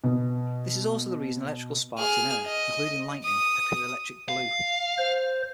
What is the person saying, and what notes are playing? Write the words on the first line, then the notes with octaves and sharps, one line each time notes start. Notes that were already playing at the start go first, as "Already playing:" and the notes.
This is also the reason electrical sparks in air, including lightning, appear electric blue.
B2 B3
G#4 F6
D#5
D#6
F5
C5